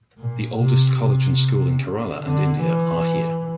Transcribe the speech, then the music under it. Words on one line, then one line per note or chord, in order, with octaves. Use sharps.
The oldest college and school in Kerala and India are here.
A#2
C3
C3
C#3
D3
E3